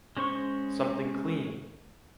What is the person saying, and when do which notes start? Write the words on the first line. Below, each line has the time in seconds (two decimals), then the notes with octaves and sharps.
Something clean!
0.17 G#3 C#4 C5 C6 C#6